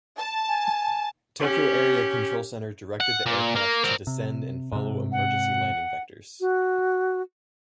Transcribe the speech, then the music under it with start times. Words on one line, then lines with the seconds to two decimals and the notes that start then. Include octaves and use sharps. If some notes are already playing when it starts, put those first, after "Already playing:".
Tokyo Area Control Center directed the aircraft to descend and follow emergency landing vectors.
0.17 A5
0.48 G#5
1.40 C#4 G4
3.00 F#5
3.26 A#2
3.55 A#3
3.84 C4 A#4
4.07 C3
4.72 G#2 C3
5.12 F#5
6.41 F#4